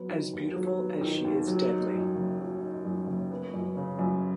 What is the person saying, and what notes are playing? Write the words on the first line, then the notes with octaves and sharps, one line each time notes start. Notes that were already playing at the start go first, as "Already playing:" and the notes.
As beautiful as she is deadly.
Already playing: F#3 B3
D#3
D#2
F#3
B3
D#3
D#2
F#3
D#4
F#2
F#1
F#3
D#4
F#2
F#1
B3
F#2
C#3
F#2